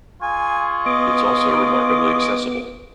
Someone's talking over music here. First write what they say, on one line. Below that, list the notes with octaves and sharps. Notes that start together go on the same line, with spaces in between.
It's also remarkably accessible.
F4 G#4 G#5 C#6
B3 D#5 D6